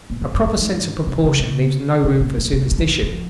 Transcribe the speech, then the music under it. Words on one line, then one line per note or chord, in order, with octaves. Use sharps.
A proper sense of proportion leaves no room for superstition.
A#2
G2
G2
G2
G#2
C3
C#3
C#3
C3
A#2
A#2
C3
C#3
D#3
F3